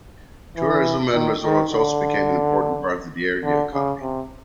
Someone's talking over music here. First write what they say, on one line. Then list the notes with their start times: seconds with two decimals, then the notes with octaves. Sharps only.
Tourism and resorts also became an important part of the area economy.
0.57 E3
1.14 D#3
1.43 D#3
1.72 D3
3.44 D3
3.72 C#3
4.01 C3